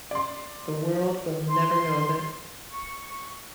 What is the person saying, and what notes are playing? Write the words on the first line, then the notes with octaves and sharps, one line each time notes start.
The world will never know of it.
D5 C6
C6
C#6